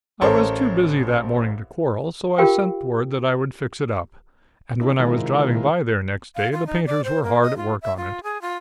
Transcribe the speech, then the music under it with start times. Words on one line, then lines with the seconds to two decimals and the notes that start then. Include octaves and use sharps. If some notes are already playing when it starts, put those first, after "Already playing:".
I was too busy that morning to quarrel, so I sent word that I would fix it up; and when I was driving by there next day the painters were hard at work on it.
0.21 A1 A4 A#4 C5 C#5
2.38 F4 G4 A#4 F5 G5
4.82 D4 E4
4.99 C3 D#3 G#3 E4 F4 A#4
6.35 F5
6.52 F4
6.67 D#4
6.86 D5
7.04 C5
7.23 A#3
7.42 D#5
7.57 F4
7.82 E5
7.97 F4
8.23 G#4
8.41 F4